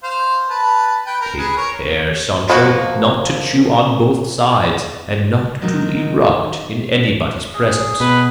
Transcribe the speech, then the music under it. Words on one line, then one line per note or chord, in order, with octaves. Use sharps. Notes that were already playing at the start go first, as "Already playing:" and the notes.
"Take care, Sancho, not to chew on both sides, and not to eruct in anybody's presence."
C5 F5
B4 A5
B4 G5
A#4
G#4 B4
A#4 C#5
F3 A#3 F#4
D#3 F#3 G#3 D#4 A#4
G#4
B2 B4